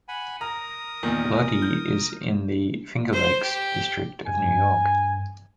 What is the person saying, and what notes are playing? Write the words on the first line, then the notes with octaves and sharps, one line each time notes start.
Lodi is in the Finger Lakes District of New York.
F#5 G#5 B5
A#4 A#5 D#6
E2 A#2 D#3
G6
C5
G4
G2 G#5